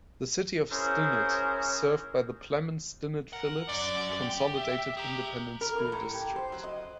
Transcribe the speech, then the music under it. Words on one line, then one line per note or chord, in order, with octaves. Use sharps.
The City of Stinnett is served by the Plemons-Stinnett-Phillips Consolidated Independent School District.
C#4 E4 G#4 A#4 C5
A#4 F#5
F#2 D5
G4
E5
G4 G#4 A#5
A#4
E3
A2
G4
C5
F#3
D#5